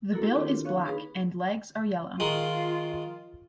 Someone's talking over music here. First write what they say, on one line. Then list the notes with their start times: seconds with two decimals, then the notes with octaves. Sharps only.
The bill is black and legs are yellow.
0.12 A#3 B3 E4 F#4 A4 A#4
0.23 A#3 E4 F4 G4
0.35 D#3 C4 D4 B4 D6
0.50 F4
0.65 C#5 F5 C#6 F#6
0.85 D#4 G#4 B4 B5
2.20 D#3 G#3 F4